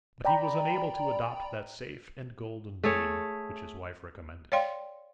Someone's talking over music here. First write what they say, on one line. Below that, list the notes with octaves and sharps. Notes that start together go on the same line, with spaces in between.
But he was unable to adopt that safe and golden mean, which his wife recommended.
D5 G5 A#5 B5
A3 G#4 C#5
C#5 D5 F5 G5 C6